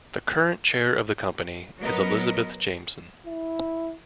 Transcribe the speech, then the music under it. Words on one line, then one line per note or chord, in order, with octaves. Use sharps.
The current chair of the Company is Elizabeth Jameson.
F#3 B3 A#4 D#5
E4